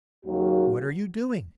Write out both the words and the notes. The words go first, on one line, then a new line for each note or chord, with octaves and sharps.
What are you doing?'
D#2 C#3 F#3 A#3 F#4